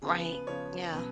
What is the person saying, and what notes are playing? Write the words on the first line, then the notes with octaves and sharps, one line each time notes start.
Right, yeah.
C#3 F3 B3 G#4
B4
B4
C#3 F3 B3 C#5
B2 F#3 C#4 B4